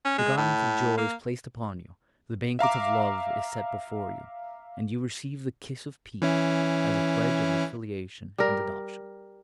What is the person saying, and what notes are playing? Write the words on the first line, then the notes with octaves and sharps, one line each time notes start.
The garment of joy is placed upon you, the banquet of love is set before you, and you receive the kiss of peace as a pledge of your filiation and adoption.
C#4
G#3
A2
A#3
E5 F5 A#5 D6
E3 C#4 E4
G3 A#4